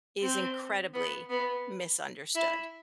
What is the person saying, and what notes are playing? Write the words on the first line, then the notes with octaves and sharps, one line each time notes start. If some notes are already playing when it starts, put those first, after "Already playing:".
is incredibly misunderstood.
C4
B3
B3
E4